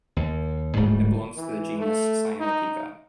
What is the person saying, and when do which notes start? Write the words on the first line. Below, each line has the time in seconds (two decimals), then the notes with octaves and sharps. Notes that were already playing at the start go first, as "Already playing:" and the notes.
It belongs to the genus "Cyanopica".
0.17 D#2
0.76 D1 G#2 G3 A3
1.37 E3
1.79 A3
2.40 D#4